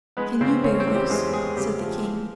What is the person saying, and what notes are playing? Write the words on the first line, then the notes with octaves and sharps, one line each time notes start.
"Can you bear this?" said the king.
G#3 B3 B4
C#3 C4 C5
C#3 C#4 C#5
C4 C5
E2
G3 G4
E2 G#3 G#4
G#3 G#4
C#3 G3 G4
F3
E3